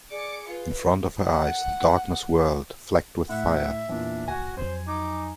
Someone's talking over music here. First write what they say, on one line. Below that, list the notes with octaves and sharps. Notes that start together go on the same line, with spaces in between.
In front of her eyes the darkness whirled, flecked with fire.
G#4 D5 D6 C#7
F4 B4
F#5
A2 E5 F#5
E2 A#2 D4
D2 F#4 G#5 A#6
F2 F#3 C5
D#4 D6